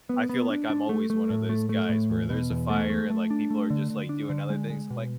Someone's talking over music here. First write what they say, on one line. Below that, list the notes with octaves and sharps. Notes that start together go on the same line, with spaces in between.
I feel like I'm always one of those guys where, there's a fire and, like, people are just, like, doing other things. I'm like,
B3
B3
D4
D4
A3
A3
A2
A3
A3
A2
E2
B2
E2
A3
A3
A3
D4
A3
D3
D3
D4
D3
G#3
G#3
B2